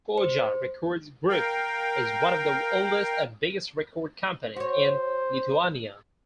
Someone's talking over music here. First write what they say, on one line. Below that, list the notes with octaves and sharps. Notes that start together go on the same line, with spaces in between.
Koja Records Group is one of the oldest and biggest record companies in Lithuania.
C5
A#4 F5 G5
F#4 C5 C#5